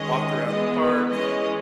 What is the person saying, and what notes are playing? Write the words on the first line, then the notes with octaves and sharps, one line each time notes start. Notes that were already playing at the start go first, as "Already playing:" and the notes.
walk around the park,
Already playing: D#3 G#3 C#4 D#5
E3 G#3 B3 D#5
B4
E3 G#3 C#4 D#5